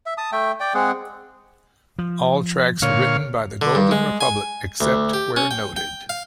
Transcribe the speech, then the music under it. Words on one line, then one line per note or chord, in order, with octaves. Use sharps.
All tracks written by The Golden Republic, except where noted.
E5
A5 D#6
A3 E5 G5
D5 G5
G#3 C4 G#4 F#5
F3
A#2 D3 C#5 F5
D3
G2
G#3
G#5
D2
G4
C#4
G5
G5
F5